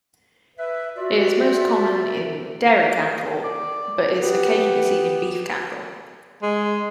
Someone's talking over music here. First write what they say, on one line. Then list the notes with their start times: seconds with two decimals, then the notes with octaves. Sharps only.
It is most common in dairy cattle, but is occasionally seen in beef cattle.
0.58 B4 E5
0.97 F4 F#4 D5 E5
3.44 D5
4.22 B3 G4
6.42 G#3